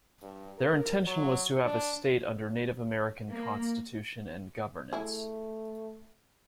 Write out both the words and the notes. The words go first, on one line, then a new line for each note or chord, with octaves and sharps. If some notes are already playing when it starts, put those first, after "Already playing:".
Their intention was to have a state under Native American constitution and governance.
G2
A#4
F#3
D4
A#3
A3 E4 G#4